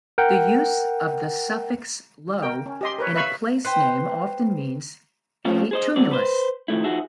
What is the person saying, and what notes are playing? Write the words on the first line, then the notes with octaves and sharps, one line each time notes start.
The use of the suffix "Low" in a place name often means a tumulus.
A#4 F#5 G5
A#4 G5
C#4
G4 D#5 C6
A#4 B4 C#5
B4 E5 F5 B5 C#6
B4 C5 G5
F3 A3 C4 C#4 F4
G#4 C5 D#5
D3 F#3 C4 D5
B4 C5
D#3 F3 A3 E4
F3 D#4 F#4 G#4 E5